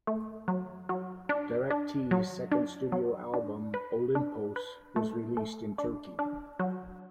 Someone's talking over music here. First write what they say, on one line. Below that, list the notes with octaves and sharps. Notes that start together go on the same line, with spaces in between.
Direc-t's second studio album "Olympos" was released in Turkey.
A3
F#3
F#3
D4
D4
F#3
D4
F#3
D4
B4
D4
B4
A3
A3
D4
D4
F#3